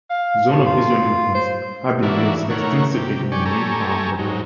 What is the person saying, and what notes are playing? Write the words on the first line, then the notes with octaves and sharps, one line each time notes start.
Zones of visual influence have been used extensively in wind farm development.
F5
A3
F4
C5
E3 A#3 D4 E4 F#4
D#3 A3 A#4 C#5 F#5
C3 G4
D5 G5 G#5 C#6
G4 A4 G#5 A#5 C#6
G#2 F#3 D#4